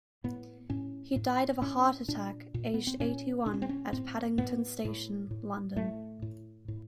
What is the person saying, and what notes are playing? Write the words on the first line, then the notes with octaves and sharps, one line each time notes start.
He died of a heart attack, aged eighty-one, at Paddington Station, London.
A2 B3
A2 C#4
A2
A2 C#4
A#2 D4
A#2
B3
C4
A#2 C#4
A#2 D4
C#4
C4
C#4
A2 C4
A2 B3
A2
A2
A2 A3
A2
A2